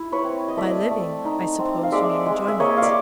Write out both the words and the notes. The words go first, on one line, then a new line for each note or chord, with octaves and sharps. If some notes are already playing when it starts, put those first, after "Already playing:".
'By living, I suppose you mean enjoyment.'
Already playing: E4
B4 C#5
C4
D#5
A3 D5 E5
A3
D#4
C4
F5
G#3 D5 E5
G#3
E5
A#3 C#5 D#5
F5
D5 E5